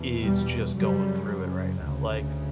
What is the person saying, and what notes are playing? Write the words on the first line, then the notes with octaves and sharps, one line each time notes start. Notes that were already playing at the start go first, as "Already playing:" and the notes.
is just going through it right now, like
Already playing: E2 B2
G3
F#2 C#3 G3
D2 C#3